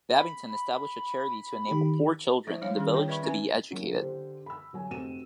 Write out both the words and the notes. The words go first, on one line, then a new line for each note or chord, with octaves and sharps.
Babington established a charity to enable poor children in the village to be educated.
B5
D#3 G4
F3 E4 C5 E5
G3 D4 C#5 F5
D#3 C#4 G#4
F4 A#4 C#5 G5
B4 D5 E5 B5 C#6
C#4 E4 B4 E5 G#5
C#3 F#3 A#3 E4
D3 G4 C5
B5 E6
D3 F#3 G#5
F1 C4 F#4 D#7 E7